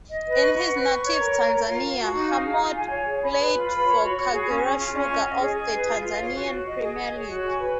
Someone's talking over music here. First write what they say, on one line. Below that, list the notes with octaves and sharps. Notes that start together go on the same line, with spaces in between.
In his native Tanzania Hamoud played for Kagera Sugar of the Tanzanian Premier League.
D#5
B4
C#6
F#5
B4
C#6
C#5
A#4
A#5
A#4
F4
F5
F#4
D#4
F5
G#4
F4
G#5
C#5
G#4
B5
B4
F4
B5
C#5
F#4
F#4
G#4
C#4
C#4
F4
C#4
D#5
D#5
G#4
G#4
B4
F4
F4
C#5
F#4
F#4
D#5
G#4
G#4
C#5
F#4
G#5
B4